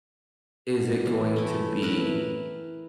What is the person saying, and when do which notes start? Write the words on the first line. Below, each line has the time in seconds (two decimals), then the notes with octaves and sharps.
is it going to be
0.76 B2
1.06 E3
1.36 A2 A3 E4
1.82 E4 A#4 B4